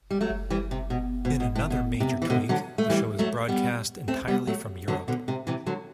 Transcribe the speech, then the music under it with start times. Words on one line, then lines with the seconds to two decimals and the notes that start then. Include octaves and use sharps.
In another major tweak, the show is broadcast entirely from Europe.
0.10 G3
0.21 F#3 A3
0.50 E3 G3
0.71 C3
0.90 B2
1.25 B2
1.40 B2
1.55 A2
1.70 B2
2.00 C3
2.22 E3
2.30 B2 D3
2.49 D3 F#3
2.78 A3
2.90 E3 G3
3.19 F#3 A3
3.48 G3 B3
4.08 A3 C4
4.28 G3 B3
4.47 F#3 A3
4.88 D3 F#3
5.08 B2 D3
5.28 C3
5.47 C3 E3
5.66 D3 F#3